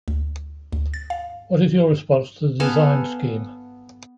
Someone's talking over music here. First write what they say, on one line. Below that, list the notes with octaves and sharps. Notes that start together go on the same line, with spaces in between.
What is your response to the design scheme?
D2
D2
A6
F5
B3 A4 F5 G#5